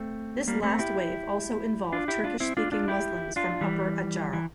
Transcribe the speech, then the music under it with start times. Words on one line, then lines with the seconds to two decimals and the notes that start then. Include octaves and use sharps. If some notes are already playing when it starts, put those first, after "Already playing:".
This last wave also involved Turkish-speaking Muslims from Upper Adjara.
Already playing: A3 C4
0.48 G3 A#3
0.63 A3 C4
0.79 E4 G4
1.92 D4 F4
2.08 E4 G4
2.24 D4 F4
2.40 C4 E4
2.57 D4 F4
2.72 D4 F4
2.88 E4 G4
3.36 D4 F4
3.61 E3 G3
4.33 E3